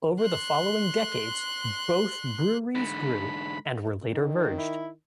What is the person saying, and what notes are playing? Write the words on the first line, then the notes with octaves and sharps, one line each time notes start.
Over the following decades both breweries grew and were later merged.
C6 F#6
G#2 D3 B5
D#3
E4